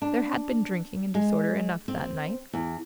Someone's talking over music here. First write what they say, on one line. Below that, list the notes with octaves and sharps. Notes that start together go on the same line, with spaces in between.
There had been drinking and disorder enough, that night....
D4
G#3
C4
E2